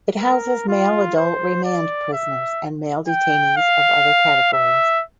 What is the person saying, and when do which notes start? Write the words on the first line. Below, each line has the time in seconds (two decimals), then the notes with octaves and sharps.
It houses male adult remand prisoners and male detainees of other categories.
0.20 A#4
0.68 F4
1.16 C5
1.64 D5
2.13 E5
3.08 G5
3.57 F5
4.53 E5